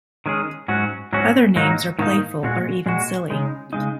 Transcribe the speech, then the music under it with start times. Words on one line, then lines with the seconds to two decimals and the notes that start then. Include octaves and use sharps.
Other names are playful or even silly.
0.26 D#3 G#3 C#4 G#4
0.68 G#2 F#3 C#4 F#4
1.13 G#2 F#3 C#4 F#4
1.56 G#2 D#3 F#3 A#3 D#4
1.99 G#2 D#3 F#3 A#3 D#4
2.43 A#2 G#3 F#4
2.86 A#2 G#3 F#4
3.30 C#3 G#3 D#4
3.73 C#3 G#3 D#4